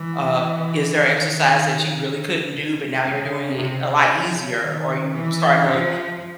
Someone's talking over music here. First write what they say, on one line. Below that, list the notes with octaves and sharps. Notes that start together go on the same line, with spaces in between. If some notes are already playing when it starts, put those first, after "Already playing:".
um, "Is there exercise that you really couldn't do, but now you're doing it a lot easier? Are you starting to
Already playing: E3
D#3
C#3
C3
C#3
D#3
E3
F3